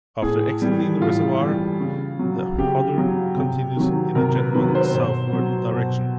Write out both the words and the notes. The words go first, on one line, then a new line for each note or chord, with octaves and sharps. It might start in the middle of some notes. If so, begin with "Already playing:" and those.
After exiting the reservoir, the Hodder continues in a general southward direction.
A2 G#4
E3 G3
A2 F4
E3 G3
C#3
F#3
C#3 G4
F#3
C3
D#3 F#3
C3 A#4
B4
D#3 F#3 B4
B4
C5
B2 C5
F#3
B2